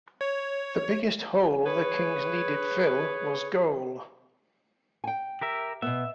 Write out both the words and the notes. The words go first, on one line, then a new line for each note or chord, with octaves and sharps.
The biggest hole the Kings needed fill was goal.
C#5
G#4 B4 C#5
G5 G#5
G4 A#4 E5
B2 B3 E5